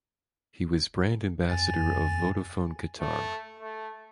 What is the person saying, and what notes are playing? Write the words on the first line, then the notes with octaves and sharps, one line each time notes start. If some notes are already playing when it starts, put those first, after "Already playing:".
He was brand ambassador of Vodafone Qatar.
F2 G#5 A6
A3
A3